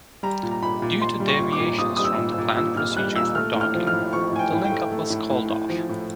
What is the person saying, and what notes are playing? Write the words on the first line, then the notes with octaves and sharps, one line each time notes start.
Due to deviations from the planned procedure for docking, the link-up was called off.
G3 A#5
A#2
A#5
A#2 B5
A#2
A#2 C6
G3
C#6
A#2
D6
A#2
A#2 D#6
G3 D#6
E6
A#2
E6
A#2
A#2 E6
A#2 F6
G3 F#6
A#2 E6
A3 F6
A2
F6
F3
F6
A2
F3 C#6
A2 G#5
G5
A2
G5
A3
A3
A2
A2
A2
F3
A2